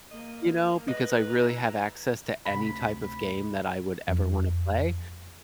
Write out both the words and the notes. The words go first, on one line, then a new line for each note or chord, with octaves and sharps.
you know, because I really have access to any type of game that I would ever wanna play,
A#3 D#5
B4 D#5
E4 A#5
D2 C3 B5
F2